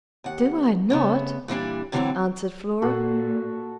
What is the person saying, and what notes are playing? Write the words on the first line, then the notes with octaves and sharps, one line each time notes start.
'Do I not?' answered Flora.
D#2 F#5
C#3 A3 B3
A#2 E3 G3 D4
A2 D3 E3 F#3 C4 F#4
A#2 F#4 A4